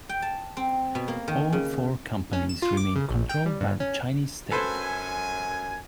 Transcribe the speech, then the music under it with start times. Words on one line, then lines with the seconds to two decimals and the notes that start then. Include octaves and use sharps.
All four companies remained controlled by the Chinese state.
0.09 G5
0.22 A5
0.57 C4
0.95 B2
1.08 A#3
1.28 D#3
1.53 C#3
2.33 C#4
2.49 E7
2.62 F4
2.77 D6
2.96 C#3
3.10 A#1
3.29 G5
3.46 G3
3.61 G2
3.80 C#4
4.51 F#2 A4 B4 C5 G#5